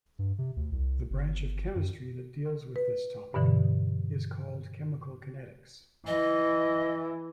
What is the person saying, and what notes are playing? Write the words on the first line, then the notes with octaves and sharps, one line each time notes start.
The branch of chemistry that deals with this topic is called chemical kinetics.
G2
C3
D2
C2
G1
F#2
B4
G2 B2 D3 E3
E3 D#5